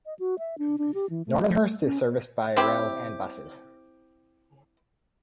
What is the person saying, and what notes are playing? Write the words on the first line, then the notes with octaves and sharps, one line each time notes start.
Normanhurst is serviced by rail and buses.
D#5
F#4
E5
D4
D4
G4
E3
A3
A3
C#4
C4 E4 G4